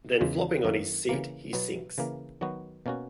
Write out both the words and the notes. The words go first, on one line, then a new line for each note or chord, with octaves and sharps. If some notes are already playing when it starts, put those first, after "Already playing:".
Then flopping on his seat he sinks.
E2 C#3 G#3
F#2 D#3 A#3
C#3 E3 A#3
B2 F#3 B3
C#3 E3 A#3
D#3 F#3 B3 F#4
B2 A#3 C#4 F#4